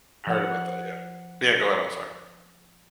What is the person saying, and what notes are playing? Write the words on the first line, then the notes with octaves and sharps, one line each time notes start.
I heard about that, yeah. Yeah, go ahead, I'm sorry.
F3 F#5